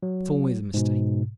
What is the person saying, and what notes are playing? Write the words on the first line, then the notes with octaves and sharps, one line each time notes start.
That's always a mistake.
F#3
G#2 B2